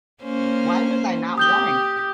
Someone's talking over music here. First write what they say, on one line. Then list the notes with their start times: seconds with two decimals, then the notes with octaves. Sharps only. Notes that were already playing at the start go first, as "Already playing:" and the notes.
Why was I not warned?
0.22 A#3 C#4 C5
1.38 G4 D#6 G6 G7